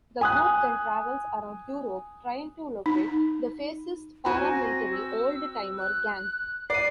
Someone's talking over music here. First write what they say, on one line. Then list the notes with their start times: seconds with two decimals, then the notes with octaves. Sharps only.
The group then travels around Europe trying to locate the fascist paramilitary old-timer gang.
0.21 G#5 D#6 F#6
2.86 D#4
4.25 C4 F#4 G#5 A#5
4.52 A#6
4.92 E6
5.78 F#6
6.70 D5 C7 D#7